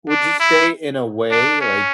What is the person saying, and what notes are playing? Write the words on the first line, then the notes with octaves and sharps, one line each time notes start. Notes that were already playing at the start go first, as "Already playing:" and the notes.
Would you say in a way like,
D4
E4
D4
C#4